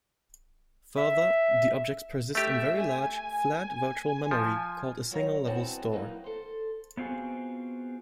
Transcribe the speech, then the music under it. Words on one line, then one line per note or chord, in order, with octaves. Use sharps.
Further, the objects persist in very large, flat virtual memory, called a single-level store.
E5
A3 G4 E5
G#5
F3
F#3 F4 C#5 A#5
E2 G2 B3 C4 F#4 A5
E3 F#3 A3 A#3 D#4
A4 C5
B3 C4 F4 F#4 G#4